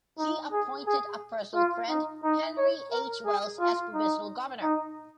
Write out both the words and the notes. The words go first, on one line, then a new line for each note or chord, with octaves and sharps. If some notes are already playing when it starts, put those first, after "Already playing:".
He appointed a personal friend, Henry H. Wells as provisional governor.
D#4
G#4
G#4
F4
D#4
D#4
C#5
A#4
G#4
F4
D#4
D#4